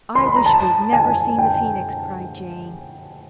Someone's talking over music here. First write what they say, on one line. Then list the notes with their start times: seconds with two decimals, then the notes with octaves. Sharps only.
'I wish we'd never seen the Phoenix,' cried Jane.
0.15 C6
0.26 B5
0.36 A#5
0.46 A5
0.93 G#5
1.38 G5